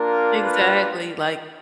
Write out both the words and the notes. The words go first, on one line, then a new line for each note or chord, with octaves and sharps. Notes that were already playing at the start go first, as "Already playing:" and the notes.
Exactly, like
Already playing: A#3 D4 F4 A#4
B4